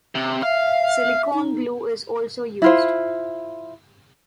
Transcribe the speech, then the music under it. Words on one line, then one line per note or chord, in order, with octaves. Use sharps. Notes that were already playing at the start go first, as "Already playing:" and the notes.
Silicone glue is also used.
C3
E5 F5
D#4
E4 F4 C5